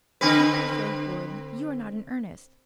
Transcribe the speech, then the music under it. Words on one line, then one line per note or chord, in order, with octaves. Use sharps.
"Aunt Martha would--you are not in earnest."
D3 C4 B4